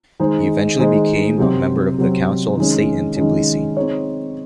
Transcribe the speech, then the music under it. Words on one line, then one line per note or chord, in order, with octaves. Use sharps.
He eventually became a member of the Council of State in Tiblisi.
D#3 G#3 D#4 G#4 C5
D#3 G#3 D#4 G#4 C5
C3 F#3 C4
C3 F#3 C4
D#3 G#3 C#4
D#3 G#3 C#4
C4 D#4 G#4 C#5